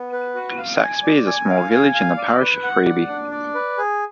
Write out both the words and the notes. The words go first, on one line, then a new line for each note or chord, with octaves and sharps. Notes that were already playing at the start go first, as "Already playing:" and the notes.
Saxby is a small village in the parish of Freeby.
Already playing: B3
B4
F#4
F5
G#5
D5
G#5
F5
G#5
F5
D5
B4
F#5
D5
D4
D5
B4
G#4